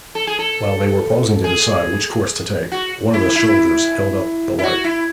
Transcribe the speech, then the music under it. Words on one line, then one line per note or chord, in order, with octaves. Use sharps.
While they were pausing to decide which course to take, one of the soldiers held up the light.
A4
G#4
A4
G#4
F#4
E4
E4
E4
F#4
E4